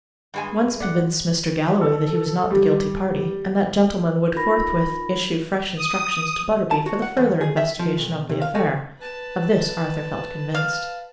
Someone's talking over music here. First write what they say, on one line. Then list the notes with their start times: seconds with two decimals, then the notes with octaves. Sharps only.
Once convince Mr. Galloway that he was not the guilty party, and that gentleman would forthwith issue fresh instructions to Butterby for the further investigation of the affair: of this Arthur felt convinced.
0.34 G2 G#3 G#5
0.78 A3 D5 F#5
1.81 A4
2.51 G3
4.36 D#4 F4 A#4 B5 A#6
5.78 D#6
6.71 A5
6.86 F#4
7.02 F#5
7.17 E2
7.41 G#4
7.57 E5
7.79 F3
7.97 B1
8.29 C3
8.42 F5
8.55 A3
8.98 B4 A5
10.55 F5